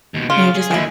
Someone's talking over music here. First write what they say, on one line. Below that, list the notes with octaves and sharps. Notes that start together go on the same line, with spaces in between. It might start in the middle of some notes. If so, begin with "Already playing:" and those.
And you're just like,
D#2 B2
C#3 F4
G#4
D#2 D3 G#3 E4